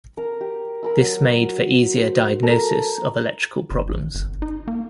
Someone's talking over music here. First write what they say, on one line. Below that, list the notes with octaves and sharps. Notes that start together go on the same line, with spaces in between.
This made for easier diagnosis of electrical problems.
A#4 A#5
G4
A#4 B5 E6
F#3
C5
A4 A#4
G1
A1
G1
D#4
A#3